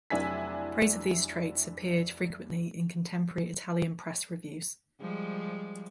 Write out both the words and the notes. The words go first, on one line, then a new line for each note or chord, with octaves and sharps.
Praise of these traits appeared frequently in contemporary Italian press reviews.
F1 F#3 D4 E4 G#5 B6
F3 G3 G#3